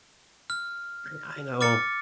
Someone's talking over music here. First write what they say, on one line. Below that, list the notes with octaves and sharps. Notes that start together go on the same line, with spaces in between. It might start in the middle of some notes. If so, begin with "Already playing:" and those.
I I know.
F6
D6 F6 A6 C#7